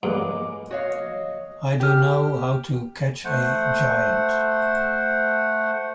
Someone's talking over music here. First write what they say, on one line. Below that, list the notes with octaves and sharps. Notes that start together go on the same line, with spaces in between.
I dunno how to catch a giant.
G2 F#3 G#3 A#3 B3 D6
F#4 C#5 D#5 F5
G4 F6
A3 C5 F#5